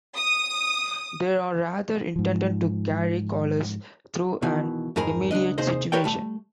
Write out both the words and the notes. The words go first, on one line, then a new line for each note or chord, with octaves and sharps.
They are rather intended to carry callers through an immediate situation.
D#6
G#2 F3
B2 D#3 E3
F2 G#2 D#3 G#4 A#4 B5
C#2 G2 D4 D#5
D#2 C3 D#4 G#4 C5 D#5
G4 A#4 B4 C#5 D5 G5
G3 A3